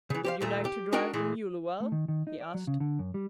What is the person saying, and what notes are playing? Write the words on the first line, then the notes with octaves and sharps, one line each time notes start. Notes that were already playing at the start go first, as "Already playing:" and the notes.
"Would you like to drive the mule awhile?" he asked.
C#3 E3
G4 C5 F5
D#2 A#2 A3
G4
D4 D#4 F#4 A#4 G5
A#2 E3 G#3
A3
D#3
D#3
D#4
D5
F#3
C#3
D3
F#2
G3